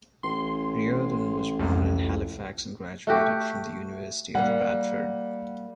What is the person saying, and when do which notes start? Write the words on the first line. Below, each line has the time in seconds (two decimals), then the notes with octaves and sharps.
Riordan was born in Halifax and graduated from the University of Bradford.
0.23 A1 C6
1.59 C2 F2
3.07 A3 F#4 G4
4.35 G3 A#3 F#5